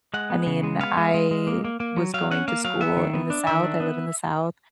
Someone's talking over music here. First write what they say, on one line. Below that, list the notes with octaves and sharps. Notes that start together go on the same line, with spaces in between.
I mean, I was going to school in the South, I live in the South,
G#3 F#5
B3
C#3
G#3
B3 F5
G#3
G#3
G#3
A#3
A#3
A#3
F#3
F#3 F5
C#4 F#5
A#3 F5
F#3 F5
B3 E5
D#3
B3
D4
D#3 E5
D4
B3